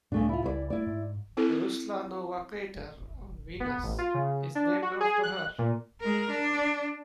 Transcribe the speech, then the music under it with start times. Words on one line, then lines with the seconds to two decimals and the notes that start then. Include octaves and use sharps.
Ruslanova crater on Venus is named after her.
0.12 C#2 A2 C#3 A3 D4
0.29 E4 F4
0.44 C#2 E4 C5 D5
0.70 A3 E4 D5
0.86 G#2
1.37 C4 E4 A4
3.60 B3
3.84 A1
3.98 F4
4.14 C#3
4.55 D4
4.82 F#4
5.00 G#4
5.23 F#6
5.58 A#2
6.01 G#3 A#4
6.30 D4